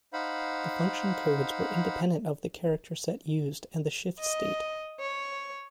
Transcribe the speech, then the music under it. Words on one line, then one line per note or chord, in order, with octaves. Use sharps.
The function codes were independent of the character set used and the shift state.
D#4 C5 F5 F#5 B5
D#5
C#5